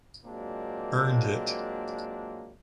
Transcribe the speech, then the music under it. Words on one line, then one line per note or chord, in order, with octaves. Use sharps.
Earned it!
A#2 F#3 G#3 A#3 C4 D4